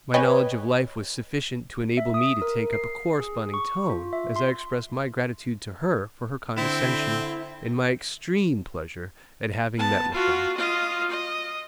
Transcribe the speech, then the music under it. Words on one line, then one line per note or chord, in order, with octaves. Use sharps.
My knowledge of life was sufficient to enable me to take up a corresponding tone as I expressed my gratitude to her for her condescension, and my extreme pleasure at having met with them.
B4 C#5 D#5 G5 G#5
E5
D#6
A#4
C7
G#4
C#6
F4
E5
C6
D3 C4 E4
B3 A5
F4 F#4
F4 D#5
D#5